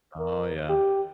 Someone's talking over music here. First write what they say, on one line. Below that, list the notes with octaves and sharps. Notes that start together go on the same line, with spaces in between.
Oh, yeah.
A#4
G4